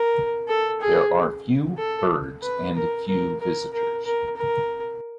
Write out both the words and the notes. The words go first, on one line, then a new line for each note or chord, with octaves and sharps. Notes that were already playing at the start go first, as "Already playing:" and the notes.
There are few birds, and few visitors.
Already playing: A#4
A4
G#4
A4
B4
A#4
A#4
A#4
A#4
A#4
A#4